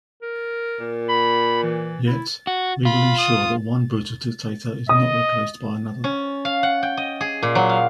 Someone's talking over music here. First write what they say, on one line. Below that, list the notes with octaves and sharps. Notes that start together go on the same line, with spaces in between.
Yet, we will ensure that one brutal dictator is not replaced by another.
A#4
A#2
B5
E3
E4
F#4
F4 B5
D#6
D#5 D#6
C#4
F5
F#5
G5
D#5
G#4
A#2
F#3
F5